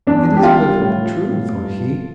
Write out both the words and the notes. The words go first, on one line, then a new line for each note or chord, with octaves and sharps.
"It is perfectly true," thought he.
E2 D4
E2 G4
F4
G3
A2
F3
A2
G2
F3